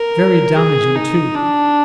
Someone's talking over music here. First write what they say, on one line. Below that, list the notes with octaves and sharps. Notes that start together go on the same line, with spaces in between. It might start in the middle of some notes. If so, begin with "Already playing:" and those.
Very damaging, too!
Already playing: A#4
G#4
D#4
D4